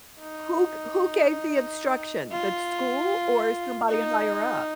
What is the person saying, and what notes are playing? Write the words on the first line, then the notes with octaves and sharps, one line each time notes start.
Who g Who gave the instruction, the d school or somebody higher up?
D#4
F4
D#4